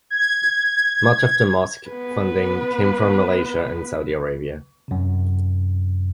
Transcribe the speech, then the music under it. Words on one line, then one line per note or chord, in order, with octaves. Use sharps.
Much of the mosque funding came from Malaysia and Saudi Arabia.
G#6
B3 B4
F#2 C3